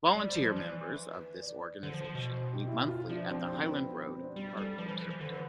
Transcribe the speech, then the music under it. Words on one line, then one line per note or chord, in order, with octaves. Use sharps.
Volunteer members of this organization meet monthly at the Highland Road Park Observatory.
G3 D5
C5
F3
D5
E3
D5
D3 C5
F3
F3
B2
C5
G4
E4
F4
F3 D4
C4
C4
B3
C4
B3
C4
D4
G3 G4
G3 A4
F3 B4
E3
F3
E3
D3 C5
B4